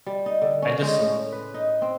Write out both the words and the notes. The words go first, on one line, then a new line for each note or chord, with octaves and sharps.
I just
G3
D#4
D3
C#4
G#3
A2
B4
D#4
C4